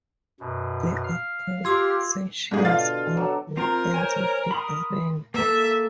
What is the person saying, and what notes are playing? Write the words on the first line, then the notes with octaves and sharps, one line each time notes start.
There are concessions on both ends of the arena.
F#2 B2
F5 F6
F4 G4 C6 D6 E6 G#6
G#2 B2 D3 G#4
F4 F5 A6
F#3 A4 D6
C4 F4 A#4 A#5
C5 C#5 G#5
B5 C6 D#6
A#3 A4 E5